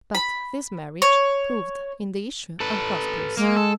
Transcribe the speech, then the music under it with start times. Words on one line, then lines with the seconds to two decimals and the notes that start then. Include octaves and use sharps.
But this marriage proved in the issue unprosperous.
0.15 B5
1.02 C#5
2.60 A4 B4
3.37 G#3 A#3
3.57 A4